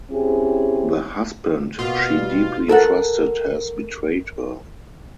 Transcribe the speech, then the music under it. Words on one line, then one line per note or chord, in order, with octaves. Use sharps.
The husband she deeply trusted has betrayed her.
C4 C#4 E4 G4 G#4
B2 A#3 F4 F#4
G3
A4 A#4 F#5